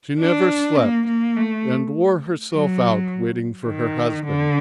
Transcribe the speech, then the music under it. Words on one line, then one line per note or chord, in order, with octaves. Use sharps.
She never slept, and wore herself out waiting for her husband.
D4
A#3
A#3
A3
F#3
D#3
D3